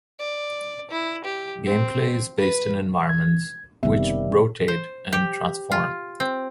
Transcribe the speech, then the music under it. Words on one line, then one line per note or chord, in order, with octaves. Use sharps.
Gameplay is based in environments which rotate and transform.
D5
E4
G4
C4
B4
G#6
F#1 C3 D#3 G3 B3 E5
C5
G4
F4
C4